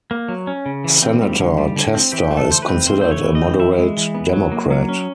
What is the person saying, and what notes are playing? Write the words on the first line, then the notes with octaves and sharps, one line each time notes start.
Senator Tester is considered a moderate Democrat.
A#3
F#3
C#4
C#3
E3
C4
G3
D3
G3
D3
C4
E3 G4
A3
A4
E3 C5
B4
C4
E3 C5
A3 C5
C#5
E3
D#5
C4
E3 E5
G#3
E3
B3
F#3
A#3
F#3
C#4